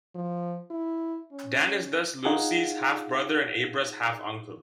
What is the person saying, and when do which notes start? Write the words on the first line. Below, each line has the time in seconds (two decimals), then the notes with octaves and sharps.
Dan is thus Lucy's half-brother and Abra's half-uncle.
0.16 F3
0.71 E4
1.32 C#4
2.25 D#4 F4 G#4 F5 F#5 G#5